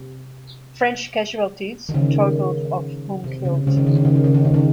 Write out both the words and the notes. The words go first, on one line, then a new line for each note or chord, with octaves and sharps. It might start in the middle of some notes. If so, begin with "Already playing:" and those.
French casualties totalled of whom killed.
Already playing: C3
D#3
C#3
C3
C#3
C#3
D#3
C#3
D#3
C#3
D#3
C#3
D#3
C#3
D#3